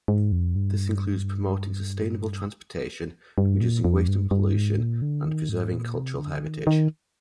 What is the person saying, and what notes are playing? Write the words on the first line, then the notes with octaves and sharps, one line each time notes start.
This includes promoting sustainable transportation, reducing waste and pollution, and preserving cultural heritage.
G#2
F2
G2
G2
A#2
F2
G2
G2
G#2
A#2
D3
D#3
G#2
A#2
C3
D3
D#3
D#3